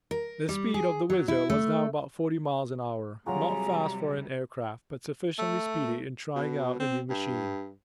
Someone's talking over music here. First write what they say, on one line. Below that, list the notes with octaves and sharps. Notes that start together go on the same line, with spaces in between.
The speed of the WHIZZER was now about forty miles an hour, not fast for an air craft, but sufficiently speedy in trying out a new machine.
A#4
G3
G#4
F#3
E4
A3
C3 F#3 G3 F4 F#4 G#4 A#5
A3
B2
C4
G2